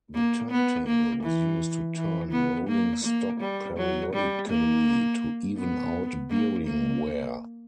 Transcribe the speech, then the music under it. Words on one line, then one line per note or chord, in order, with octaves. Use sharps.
The turntable was used to turn rolling stock periodically to even-out bearing wear.
A#3
B3
A#3
E3
E3
B3
A#3
A#3
G3
F#3
G3
A#3
B3
A#3
A#3